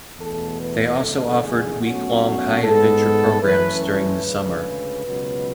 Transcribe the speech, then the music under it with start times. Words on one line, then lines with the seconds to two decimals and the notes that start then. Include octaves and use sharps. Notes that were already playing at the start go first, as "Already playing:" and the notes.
They also offered week-long high adventure programs during the summer.
0.19 E2 B2 A3 A4
0.60 B4
1.00 F#1 E2 D3 A3 A4
1.41 G#4
1.80 B1 B2 A3 C#4 F#4
2.62 G#2 G#3 B3 A4
3.42 F#2 E3 A3 C#4 B4
3.83 B4
4.23 D2 C#3 G#3
5.05 C#2 B2 F#3